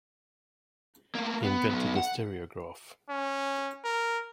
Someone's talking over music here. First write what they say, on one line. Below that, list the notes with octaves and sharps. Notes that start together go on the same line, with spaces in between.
He invented the Stereograph.
A3 A#3
B3
F#3 B3
F#5
C#4
A#4